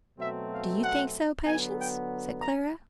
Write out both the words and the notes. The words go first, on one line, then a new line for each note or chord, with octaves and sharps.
"Do you think so, Patience?" said Clara.
B2 F#3 A3 C4 E5
F5
F#5
D3 F#3 B3 G#5
G5
A#5